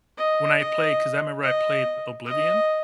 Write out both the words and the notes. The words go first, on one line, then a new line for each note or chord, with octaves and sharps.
when I play 'cause I remember I played Oblivion.
D#5
D#5
D#5
D#5